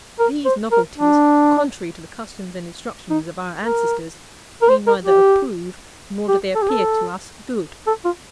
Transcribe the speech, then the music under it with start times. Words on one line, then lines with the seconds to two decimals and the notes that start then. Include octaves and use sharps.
These novelties, contrary to the customs and instructions of our ancestors, we neither approve, nor do they appear to us good.
0.19 A#4
0.45 C5
0.72 A#4
0.98 D4
3.10 D#4
3.64 A#4
4.62 A#4
4.69 C5
4.87 A#4
5.05 G4
6.28 G4
6.55 A4
6.62 G4
6.70 A4
7.87 A4
8.05 F4